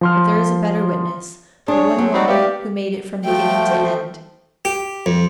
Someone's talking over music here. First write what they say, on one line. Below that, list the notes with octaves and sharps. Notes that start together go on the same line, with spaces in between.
But there is a better witness, the one woman who made it from beginning to end.
F3 C6 F6
D4 G#4 C#5
F#3 C4
C4 D#4 F#4 D5 B5
B3 G4 D5 E5 F5
F3 A3 F#4 G5
C5
G4
F2